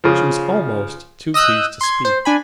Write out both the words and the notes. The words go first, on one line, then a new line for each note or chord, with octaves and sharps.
She was almost too pleased to speak.
C#3 F3
D#5 D#6 E6 F#6 G6
C6 G#6
C5
D4 G#5 B5